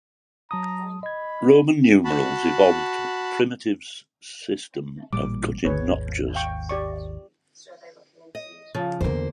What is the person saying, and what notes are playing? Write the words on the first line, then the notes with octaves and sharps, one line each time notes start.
Roman numerals evolved primitives system of cutting notches.
F#3 A5 A#5 D#6
D#5 B5 G#6
F#4 A5 B5
A1 A#2 G3 D6
G#1 D#2 G#4 B4 C#5
F5 G5 C#6
G4 D5 C#6
D#5
C#3 F3
E2 D3 A#3 C5